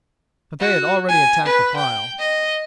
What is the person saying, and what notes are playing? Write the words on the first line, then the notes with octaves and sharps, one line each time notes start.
But they had already attacked the pile.
F#4
G#5
B4
G5
D#5